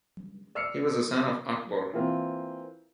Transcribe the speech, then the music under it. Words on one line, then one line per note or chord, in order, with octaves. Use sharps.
He was the son of Achbor.
D5 E6 F6 C7 C#7
E3 A#3 C4 F4